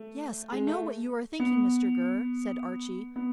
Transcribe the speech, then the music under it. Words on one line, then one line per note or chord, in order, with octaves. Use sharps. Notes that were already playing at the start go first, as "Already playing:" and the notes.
"Yes, I know what you are thinking, Mr Gurr," said Archy.
Already playing: A3
G#3
A3
B3
B3